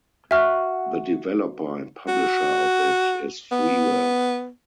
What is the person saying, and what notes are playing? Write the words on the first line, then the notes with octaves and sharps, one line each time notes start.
The developer and publisher of it is freeware.
F#4 E5 F6
F#4
B3